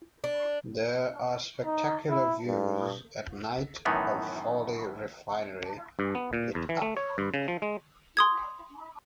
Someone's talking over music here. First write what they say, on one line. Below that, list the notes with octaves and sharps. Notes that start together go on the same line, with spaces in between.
There are spectacular views at night of Fawley Refinery lit up.
D4
D#4
E4
G2
F#2 A2 D#3 E3 B3 D#4
G2
B3
A#2
E2
E3
A3
C#5
G2
C#3
F3
G#3
C6 D#6 G#6